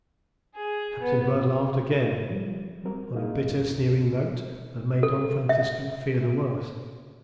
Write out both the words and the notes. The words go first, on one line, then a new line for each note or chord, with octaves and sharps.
Captain Blood laughed again, on a bitter, sneering note that made Don Francisco fear the worst.
G#4
B3
F3 G3
F#3 G3 C4 A#4
A#3 D#4 E4 G#4 D#5 F5
C#2 G2 C#4
A4
E5